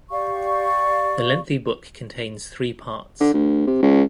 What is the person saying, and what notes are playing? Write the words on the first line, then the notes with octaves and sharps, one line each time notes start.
The lengthy book contains three parts.
G4 D5 F5 C#6
D3
D2
C3
C#2